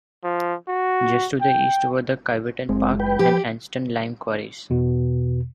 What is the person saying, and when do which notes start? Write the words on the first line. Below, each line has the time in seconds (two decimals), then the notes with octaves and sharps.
Just to the east were the Kiveton Park and Anston lime quarries.
0.24 F3
0.68 F#4
1.41 G5
2.69 F#1 G#3 C4
3.00 B4 G5
3.19 F3 G4
4.70 E2 B2